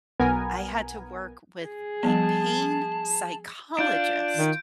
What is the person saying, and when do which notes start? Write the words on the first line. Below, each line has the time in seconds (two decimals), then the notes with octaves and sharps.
I had to work with a pain psychologist.
0.19 B1 B3 A#4 G#5
1.63 G#4
2.03 F3 G3 B3 A5
3.79 D4 F4 G6 D7
4.37 D#3